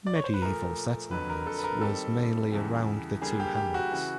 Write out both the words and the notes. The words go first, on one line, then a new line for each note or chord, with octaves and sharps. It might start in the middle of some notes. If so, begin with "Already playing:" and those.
Medieval settlement was mainly around the two hamlets.
D5
C#5
C5
B4
A#2 F3 A3 A#4
F2 D3 F#3 B4
A#4
A4
B4
A#4
D#3 G3 C4 A4
E2 C#3 E3 G3
D3 G3 A#3 D4 G#4
G4
G4
F#4
C#3 E3